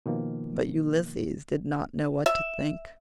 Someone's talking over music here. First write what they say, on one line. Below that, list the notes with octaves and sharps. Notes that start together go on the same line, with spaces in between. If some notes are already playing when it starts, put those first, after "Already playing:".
But Ulysses did not know what to think.
B2 D#3 F3 A#3
E5